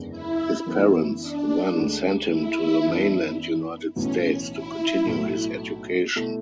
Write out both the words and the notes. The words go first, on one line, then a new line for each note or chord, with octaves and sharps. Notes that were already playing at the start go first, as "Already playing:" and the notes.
His parents then sent him to the mainland United States to continue his education.
Already playing: F#1 E2 D3 G#3 B3
E4
F#2 E3 B3
D4
D2 D3 G#3
E4
F#2 E3 B3 D4
B1 A2 E3 B3 C#4 F#4
E4
B1 A2 F#3 A3
B2 A3 E4